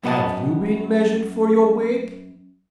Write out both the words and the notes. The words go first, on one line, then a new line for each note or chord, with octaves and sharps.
"Have you been measured for your wig?"
F#2 B3 F#4 D#5 A5